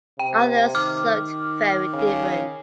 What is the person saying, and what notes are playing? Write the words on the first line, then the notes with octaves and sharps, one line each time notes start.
Others looked very different.
C3 G5
D#3 D6 F6
C#3